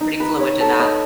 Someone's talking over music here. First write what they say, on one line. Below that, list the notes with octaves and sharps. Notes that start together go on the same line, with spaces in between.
Pretty fluent in that.
D#4
B4
C#5
A4
D#5